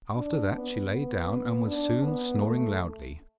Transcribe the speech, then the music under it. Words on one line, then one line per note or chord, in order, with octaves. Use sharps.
After that she lay down and was soon snoring loudly.
D4
B3
B3
D4
B3
A3